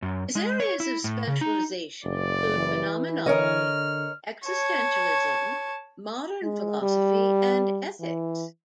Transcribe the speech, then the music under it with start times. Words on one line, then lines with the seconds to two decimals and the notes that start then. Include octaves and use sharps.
His areas of specialization include phenomenology, existentialism, modern philosophy, and ethics.
0.02 F#2
0.35 G#3
0.60 C#5
0.80 E4
1.04 A2
1.27 C#3
1.41 D#4
2.04 F#1 D5
2.56 E3
3.26 D3 A#4 C#5 D#5 F6
4.46 C#5 A5
6.43 G#3
6.82 G3
8.00 E3